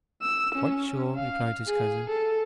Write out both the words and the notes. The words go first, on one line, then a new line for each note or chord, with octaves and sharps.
'Quite sure,' replied his cousin.
E6
C#4
F5
G#4
A4